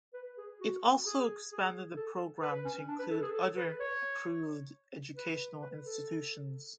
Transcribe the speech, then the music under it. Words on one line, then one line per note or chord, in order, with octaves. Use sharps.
It also expanded the program to include other approved educational institutions.
B4
G#4
F#4
G#4
G#4
A4
B4
C#4
D4
B4
A4
G#4
A4
B4
C#5
B4
B4
A4